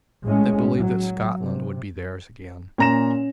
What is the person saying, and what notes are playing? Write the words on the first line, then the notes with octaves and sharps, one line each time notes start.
They believed that Scotland would be theirs again.
A2 G#3 C#4
F#3
C3
A#2 C#4 A#5 A#6 E7